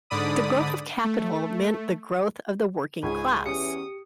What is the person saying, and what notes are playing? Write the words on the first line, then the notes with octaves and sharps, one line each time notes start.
The growth of capital meant the growth of the working class.
G#2 D3 D5 B5 D#6
A3
C#2 G#2 G#4 G#5 B5 C#6 G#6
E2 E3 C#4 G4 D#6 C#7